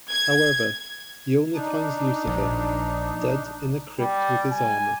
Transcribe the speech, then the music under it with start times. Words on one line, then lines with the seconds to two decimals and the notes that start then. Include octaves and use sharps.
However, he only finds Lucifer, dead in a crypt with his armor.
0.10 G#6
1.54 D4 D#4
2.27 A#1
3.99 G3
4.51 G#5